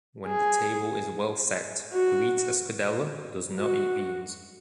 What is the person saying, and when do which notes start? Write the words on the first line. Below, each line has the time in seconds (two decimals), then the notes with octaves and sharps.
When the table is well set, who eats escudella does no eat beans.
0.27 G#4
1.93 F#4
3.59 F#4